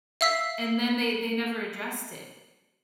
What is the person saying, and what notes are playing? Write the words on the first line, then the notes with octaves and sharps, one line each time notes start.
and then they they never addressed it,
E5 F5 E6 B6 C7